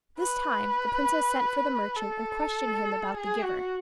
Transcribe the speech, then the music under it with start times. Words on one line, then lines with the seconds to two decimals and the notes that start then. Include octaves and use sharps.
This time the princess sent for the merchant, and questioned him about the giver.
0.19 B4
1.96 A4
3.14 G#4
3.44 F#4